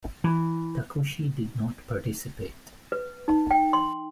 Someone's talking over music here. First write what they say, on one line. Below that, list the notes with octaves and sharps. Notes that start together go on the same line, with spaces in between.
Takushi did not participate.
E3
B4
D#4
G5
C6